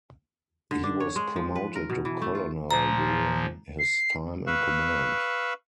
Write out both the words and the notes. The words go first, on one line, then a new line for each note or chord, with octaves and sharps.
He was promoted to colonel during his time in command.
D3
D4
C#5
G#3
F3
B4
A#4
B2
E3
A3
F4
A#2 F3 A#5
C7
B4 F5 C#6 E6 F#6